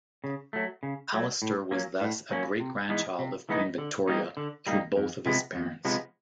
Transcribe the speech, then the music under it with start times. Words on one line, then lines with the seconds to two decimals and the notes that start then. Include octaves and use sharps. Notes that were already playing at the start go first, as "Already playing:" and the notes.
Alastair was thus a great-grandchild of Queen Victoria through both of his parents.
0.24 C#3
0.53 F#3 A3
0.83 C#3
1.12 F#3 A3
1.42 A2
1.71 F#3 A#3 C#4
2.01 A2
2.31 F#3 A#3 C#4
2.60 C3
2.89 E3 G#3 B3 D#4
3.19 C3
3.49 E3 G#3 B3 D#4
3.78 D3
4.08 G3 A#3 D#4
4.37 D3
4.67 G3 A#3 D#4
4.96 F2
5.26 C3 F3 G#3 B3
5.55 F2
5.85 C3 F3 G#3 B3